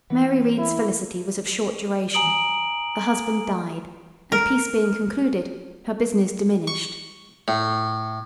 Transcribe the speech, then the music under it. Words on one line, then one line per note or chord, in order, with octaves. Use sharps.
But Mary Read's felicity was of short duration; the husband died, and peace being concluded, her business diminished.
E3 B4 F#5
E4
G#5 A#5 D#6 D7 F#7
A#4
C#6
A2